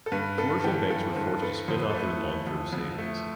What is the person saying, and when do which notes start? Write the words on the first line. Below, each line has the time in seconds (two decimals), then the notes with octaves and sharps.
Commercial banks were forced to spin off their long-term savings.
0.06 A4
0.12 G2 B4
0.38 B3 A4
0.64 E3 G4
0.90 G2 A4
1.12 C5
1.16 G2 B4
1.42 B3 A4
1.68 F2 C5
1.79 B4
1.90 A3 A4
2.00 B4
2.20 E3
2.47 F2
2.72 F2
2.98 A3